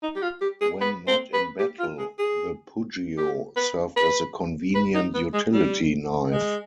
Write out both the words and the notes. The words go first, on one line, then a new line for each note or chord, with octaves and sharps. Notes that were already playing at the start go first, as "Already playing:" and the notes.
When not in battle, the "pugio" served as a convenient utility knife.
D#4
G4
F4
G4
G#4
B4
C5
B4
G4
F4
G#4
G#4
G4
B4
B4
B4
D#4
B3
G#3
G3
G#3